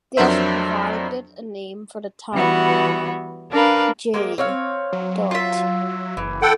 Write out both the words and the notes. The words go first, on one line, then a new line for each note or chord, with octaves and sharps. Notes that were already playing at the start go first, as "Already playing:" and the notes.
They also provided a name for the town; J.
F2 F#3 D4 A#4 C5 E5
E3 G3 B3 F#4
D4 A#4 B4 F5
G#3 A#3 G4
C4 C#5 F5
F#3
F4 E5
F#1 E3
A4 F#5 G5